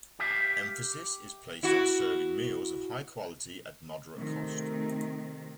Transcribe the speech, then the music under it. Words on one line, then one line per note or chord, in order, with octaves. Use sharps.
Emphasis is placed on serving meals of high quality at moderate cost.
G4 E5 F5
E4 F#4
C3 D#3 A3 C4